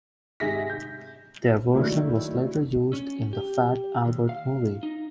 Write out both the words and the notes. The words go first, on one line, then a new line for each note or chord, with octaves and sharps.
Their version was later used in the Fat Albert movie.
G#2 C3 G#4 E5 A#6 B6
G6
D#3 F#3 A3 A#3 D4 E4
C#4
G4
D#2
F5
D#4